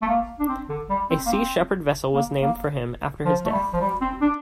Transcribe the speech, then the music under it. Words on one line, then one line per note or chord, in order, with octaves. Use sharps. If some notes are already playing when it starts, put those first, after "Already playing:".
A Sea Shepherd vessel was named for him after his death.
A3
A#3
D4
C4
D3
G3
C4
A#3
C4
A#3
A#3
F3
A3
G3
F3
G3
C4
D4